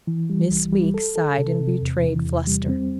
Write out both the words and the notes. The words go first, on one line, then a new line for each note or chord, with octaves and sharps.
Miss Weeks sighed and betrayed fluster.
E3
G3
C2
G3
A4
A4
C3
C3
E2
E3
E2
G3
C4